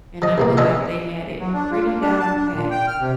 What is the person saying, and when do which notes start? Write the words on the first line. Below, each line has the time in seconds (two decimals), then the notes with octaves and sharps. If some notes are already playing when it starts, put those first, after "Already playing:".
and I feel like they had it pretty down pat
0.22 F3 D#5
0.38 C2 B2 A#3
0.57 E3 F3 D4 D#5 E5 F#5
1.39 F#3
1.53 D4
1.72 F4
1.86 A#3
2.01 D4
2.19 A5
2.37 D4
2.53 A#2
2.71 G5
2.88 F6
3.00 C3